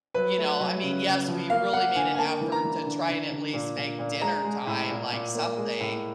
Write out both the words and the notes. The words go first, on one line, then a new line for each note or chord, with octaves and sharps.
you know I mean, yes, we really made an effort to try and at least make dinner time, like, something
F#3 B4
A3
F#3
C#3
C#3
F3
A#3 F5
A#3 F#5
D3 G#5
G#5
A#3 A5
E3
A#5
E3
D3
D3
D3
A#2
A#2
A#2
G#3 A#5
G#3
A2
A#2
A#2
A#3
G#3
A2